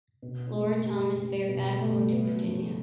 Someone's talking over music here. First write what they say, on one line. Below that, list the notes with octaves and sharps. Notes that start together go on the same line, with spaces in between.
Lord Thomas Fairfax owned in Virginia.
B2
A3
G4
G4
B2
A3
B3
F3